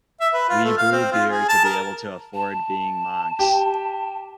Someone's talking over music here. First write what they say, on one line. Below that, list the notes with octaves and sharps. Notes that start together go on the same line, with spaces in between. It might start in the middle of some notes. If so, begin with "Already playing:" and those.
We brew beer to be able to afford being monks.
E5
B4
F4
A3
F5
C4
F4
G#4
A5
A#4
A5
G4